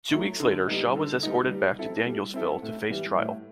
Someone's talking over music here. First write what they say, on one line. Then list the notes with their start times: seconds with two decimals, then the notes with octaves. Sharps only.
Two weeks later, Shaw was escorted back to Danielsville to face trial.
0.12 F#3 A3
0.40 D3
0.67 G3 B3 D#4
0.96 D3
1.23 G3 B3 D#4
1.51 G3
1.79 C4 E4 A4
2.07 G3
2.34 C4 E4 A4
2.62 A2
2.90 E3 G3
3.18 A2